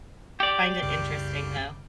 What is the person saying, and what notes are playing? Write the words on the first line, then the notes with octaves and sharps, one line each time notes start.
I find it interesting, though.
G4 D5
C2 F#2 C#3